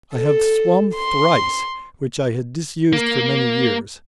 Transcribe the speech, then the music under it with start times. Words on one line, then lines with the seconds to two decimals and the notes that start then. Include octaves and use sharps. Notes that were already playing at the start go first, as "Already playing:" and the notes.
I have swum thrice, which I had disused for many years.
0.17 A4
0.95 C6
2.93 A#3